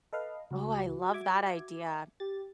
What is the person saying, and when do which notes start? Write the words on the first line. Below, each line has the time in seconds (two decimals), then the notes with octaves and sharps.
Oh, I love that idea.
0.13 A4 B4 D#5 F5
0.51 C#2 F#4
1.13 E5 D6 G#6
2.20 G4 A6